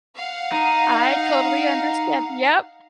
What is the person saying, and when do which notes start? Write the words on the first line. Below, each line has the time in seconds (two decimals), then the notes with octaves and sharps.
I totally understand yep.
0.16 F5 F#5
0.52 D#4